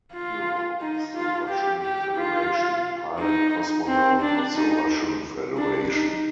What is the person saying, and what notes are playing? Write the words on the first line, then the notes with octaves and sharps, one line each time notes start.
Hero of the Russian Federation, Pilot-Cosmonaut of the Russian Federation.
F4
D#4
F4
G4
G4
F4
D#4
C4
D4
D#4
D4
D#4